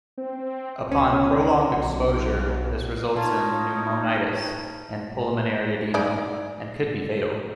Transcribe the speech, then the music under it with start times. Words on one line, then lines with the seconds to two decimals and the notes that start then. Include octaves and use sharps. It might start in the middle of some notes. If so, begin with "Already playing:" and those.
Upon prolonged exposure, this results in pneumonitis and pulmonary edema, and could be fatal.
0.18 C4
0.92 C#2 C#4
1.75 B1
3.16 C#4 D#4 F4 A5
5.94 D#4 G#4 D5